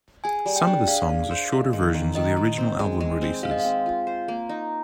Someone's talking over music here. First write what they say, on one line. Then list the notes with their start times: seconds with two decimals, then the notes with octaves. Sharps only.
Some of the songs are shorter versions of the original album releases.
0.24 G#4 G#5
0.46 G3
0.56 G5
0.67 D4
0.87 G#4 F5
1.09 G#4
1.31 C5
1.52 G#3
1.73 D#3
1.94 D#3
2.15 D#3 D#5
2.37 D#3
2.58 C4
2.79 G#3
3.00 G#3
3.22 C4
3.43 G#3 F5
3.51 D#5
3.60 C4 F5
3.86 F4
4.07 C5
4.28 A#3
4.49 D#4